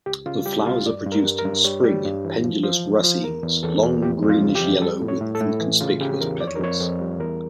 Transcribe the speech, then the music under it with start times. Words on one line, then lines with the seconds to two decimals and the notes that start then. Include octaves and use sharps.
The flowers are produced in spring in pendulous racemes long, greenish-yellow with inconspicuous petals.
0.06 C#2 G4
0.26 C#3 F4
0.46 G3 G4
0.67 C#2 F4
0.86 G2 D5
1.06 G2
1.12 A#4
1.25 G3
1.39 A#4
1.45 G2
1.64 G3 C#5
1.84 G3
2.05 G2
2.25 E3
2.44 F3
2.64 F3
2.84 C#2
3.04 F3
3.24 E2 A#4
3.43 E2
3.63 E2 A4
3.83 E2
4.02 F2 G4
4.22 F2
4.29 F4
4.42 C#3
4.55 G4
4.61 F2
4.82 G3 A4
5.02 A2
5.08 C#5
5.21 A2
5.35 A4
5.41 A2
5.61 E3
5.81 C#3 F4
6.01 C#3 G4
6.21 E2 A#4
6.40 F2 D5
6.48 C#5
6.56 A#4
6.60 F2 C#5
6.80 F2
7.00 G3
7.20 E2 A#4